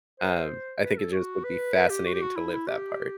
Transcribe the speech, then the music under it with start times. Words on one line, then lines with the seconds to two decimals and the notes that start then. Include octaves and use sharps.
Um, I think it just would be fascinating to live that part.
0.19 C5
0.82 B4
0.97 A4
1.13 F#4
1.44 B4
1.74 B4
1.90 G4
2.06 F#4
2.13 G4
2.22 F#4
2.36 E4
2.53 E4
2.67 G4